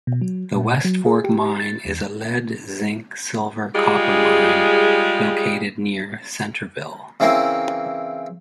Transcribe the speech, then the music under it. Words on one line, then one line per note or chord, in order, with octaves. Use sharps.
The West Fork Mine is a lead-zinc-silver-copper mine located near Centerville.
B2
F#3
A#2
F#3
G#4
G4
A6
E2
G3 G#3 F4 G#4
C#3 E3 C4 A#4 C6